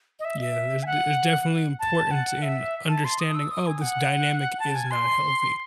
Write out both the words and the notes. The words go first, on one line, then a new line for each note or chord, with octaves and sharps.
Yeah, there's d there's definitely importance in understanding, "Oh, this dynamic is not healthy."
D#5
E5
E5
G#5
F#5
A5
F#5
E5
A5
C6
D#6
E6
D#6
G#5
F#5
A5
G#5
C6